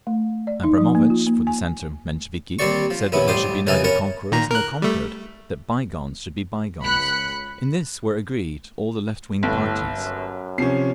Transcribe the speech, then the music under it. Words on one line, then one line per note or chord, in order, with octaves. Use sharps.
Abramovitch, for the centre Mensheviki, said that there should be neither conquerors nor conquered--that bygones should be bygones. ...In this were agreed all the left wing parties.
A3
D5
D#4
F3
A#3
F4
A#3
G#5
D#2 G3 C4 G4 D5 C#6
F3
A#1 D#2 B3 C#4 E4
A1 G3 G4 C5 D6 D#6
C2 C#3 E3 D#4 G#5 A5
C#4 A#4 F#5 A5 B5
A#2 D#3 A#5
A#4 F#6
G3 A3
C#2 B5 F#6 C#7
G1 A2
F#2
C3 F3 C#4 C7